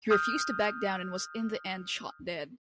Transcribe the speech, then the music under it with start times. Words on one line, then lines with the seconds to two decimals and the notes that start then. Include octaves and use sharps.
He refused to back down and was in the end shot dead.
0.11 D#6 F6 G6